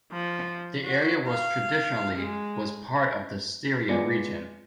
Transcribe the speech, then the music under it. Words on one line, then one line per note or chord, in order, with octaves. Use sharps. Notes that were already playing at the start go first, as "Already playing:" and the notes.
The area was traditionally was part of the Styria region.
F3
F#4
F5
G#3
G#3 B3 F4 D5 A#6 C#7